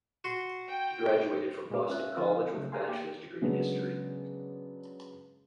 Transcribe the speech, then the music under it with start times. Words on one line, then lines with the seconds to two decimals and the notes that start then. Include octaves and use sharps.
He graduated from Boston College with a bachelor's degree in history.
0.24 F#4 C6
0.69 G5
1.70 A#2 G#3 G#4 F5 D6
1.89 C#4 F4 E5 F#6
2.17 D2 F3 C4 F4 A#4
2.54 C#3 F#3 A3
2.72 G4 G#4 A#4 F5 G#5 C6
2.89 A#3 G4
3.41 C#3 F#3 G#3 B3 D4